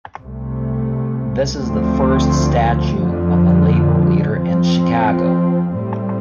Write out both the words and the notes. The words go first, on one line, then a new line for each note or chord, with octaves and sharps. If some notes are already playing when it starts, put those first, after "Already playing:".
This is the first statue of a labor leader in Chicago.
C2 C3 A3
D2 D3 F3 A3 C4
F2 D3 F3
F2 F3 C4
A2 G3 C4